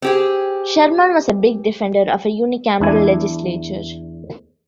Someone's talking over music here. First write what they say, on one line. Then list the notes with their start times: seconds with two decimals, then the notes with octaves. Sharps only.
Sherman was a big defender of a unicameral legislature.
0.02 C4 G4 G#4
2.80 E2 D4 E4 G#5